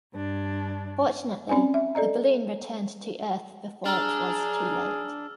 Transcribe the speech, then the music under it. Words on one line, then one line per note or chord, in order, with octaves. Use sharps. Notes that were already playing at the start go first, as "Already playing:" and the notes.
Fortunately, the balloon returned to earth before it was too late.
G2 D4
C4 C#4 D5 G#5
E5
A4 D5 D#5 A#5
D4 G#4 A#5 E6 F6